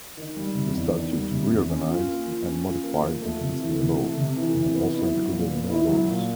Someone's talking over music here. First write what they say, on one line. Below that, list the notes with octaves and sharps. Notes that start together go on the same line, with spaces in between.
The statute re-organized and modified existing law, and also included new laws.
D#3
G3
C3
E2
D#3
G3
C3
E2
C#4
F4
A#3
F3
C#4
F4
A#3
F3
A3
C3
E3
C3
A3
C3
E3
C3
B3
E4
F#3
A#2
B3
E4
F#3
A#2